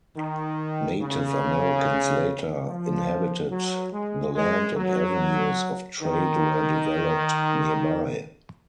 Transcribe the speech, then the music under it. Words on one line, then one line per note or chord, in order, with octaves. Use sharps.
Native Americans later inhabited the land and avenues of trade were developed nearby.
D#3
C#3
F3
F#3
G#3
G#3
F#3
D#3